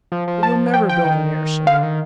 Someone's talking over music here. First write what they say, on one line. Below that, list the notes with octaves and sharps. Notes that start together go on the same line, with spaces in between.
"But you'll never build an airship!"
F3
F3
A5
G5
G5
D#3
D3 F5
D#3